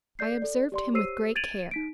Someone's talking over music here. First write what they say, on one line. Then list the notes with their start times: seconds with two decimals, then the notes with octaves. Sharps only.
I observed him with great care.
0.19 A4 D5 G6 C7
0.42 A4 D5
0.72 G4 D5 C6
0.94 G4 C5 C#5 E6 C7 D#7
1.36 G#6 A6 D7 D#7 F7 F#7
1.71 D#4 B6 D7